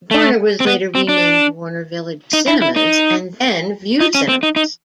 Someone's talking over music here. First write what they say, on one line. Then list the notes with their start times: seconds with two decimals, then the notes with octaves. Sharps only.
Warner was later renamed Warner Village Cinemas and then Vue Cinemas.
0.11 A3
0.60 C4
0.67 B3
0.95 C4
1.08 D4
2.33 D#4
2.48 E4
2.62 E4
2.76 D#4
4.00 D#4
4.15 C#4
4.29 C4
4.43 D#4
4.56 D#4